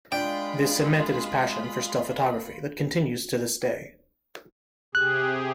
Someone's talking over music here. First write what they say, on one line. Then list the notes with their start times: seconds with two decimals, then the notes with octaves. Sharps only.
This cemented his passion for still photography that continues to this day.
0.12 G#3 D4 F4 G5 B5
4.95 C3 G4 G#4 F#6